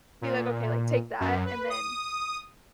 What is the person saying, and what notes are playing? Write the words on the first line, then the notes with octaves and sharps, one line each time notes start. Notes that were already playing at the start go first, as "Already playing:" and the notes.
be like, okay, like, take that, and then
A#2
F#2
B4
D#6